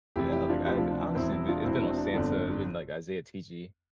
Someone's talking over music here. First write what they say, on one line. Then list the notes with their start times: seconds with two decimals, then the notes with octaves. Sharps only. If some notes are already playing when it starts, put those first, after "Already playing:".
Yeah, like, I'd honestly, it's been it's been ohsxnta, it's been, like, Izaya Tiji.
0.16 F1 F2 C3 E3 E4 G4
0.32 E4 G4
0.49 D4 F4
0.65 D2 C3 F3 E4 G4
0.78 D4 F4
0.91 D4
1.02 D4
1.15 E1 E2 E3 C4 E4
1.32 C4 E4
1.48 D4 F4
1.64 E1 E2 E3 C4 E4
1.82 D4
1.90 C4
1.97 D4
2.14 G1 F2 D3 D4